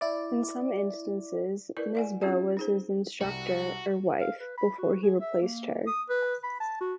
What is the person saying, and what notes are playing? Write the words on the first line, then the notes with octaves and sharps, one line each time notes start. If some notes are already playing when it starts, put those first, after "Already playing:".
In some instances, Nisaba was his instructor or wife before he replaced her.
E4 D5
E4 A#4 B4 D5
D5 F#5 G#5
C4 C#4 F4 G#4 E5 A5
D#4 G#4 C5
C2 G3 F#4 F#7
F5
B4
B5
F#4
G#4
E5
A#3
D#6
B4
B5
A5
F#4